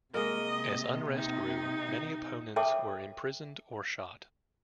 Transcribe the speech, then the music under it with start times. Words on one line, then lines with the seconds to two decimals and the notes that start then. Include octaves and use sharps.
As unrest grew, many opponents were imprisoned or shot.
0.14 C3 G#3 A#3 A#4 D#5
1.17 D#4
2.56 A4 C#5 E5 G5 A5 D6